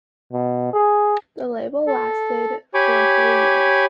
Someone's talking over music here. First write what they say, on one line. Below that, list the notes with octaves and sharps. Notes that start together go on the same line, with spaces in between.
The label lasted for three years.
B2
G#4
A4
G4 C#5 G#5 B5 D6